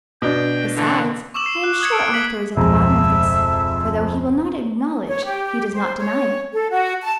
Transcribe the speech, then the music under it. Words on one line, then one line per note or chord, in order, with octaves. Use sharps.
Besides, I am sure Arthur is at the bottom of this, for though he will not acknowledge, he does not deny it.
B2 D4 G5
D3 E3
C#6 D6 E6 E7 F#7
C7
F#6
D#6 G#6 C#7
F6 D7
B6 F#7
D1 F2 B2 G#3 E5 A#5
C#5
G4
C5
C#5
A4
F#4
A5